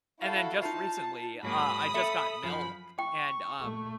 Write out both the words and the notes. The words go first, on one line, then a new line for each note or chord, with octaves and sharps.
and then just recently, uh, I just got milk and, um,
E4 F#4 A4 F5
D#4 F4 A5
G#2 F#3 A#3 B5 D#6
A4 E5
F#2 F3 B5
G5 C#6
A#2 A3